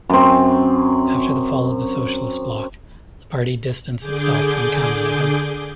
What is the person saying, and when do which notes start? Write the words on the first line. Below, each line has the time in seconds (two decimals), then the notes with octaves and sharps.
After the fall of the Socialist Bloc, the party distanced itself from communism.
0.09 F#2 C4
3.99 D3 G#4 D6 G6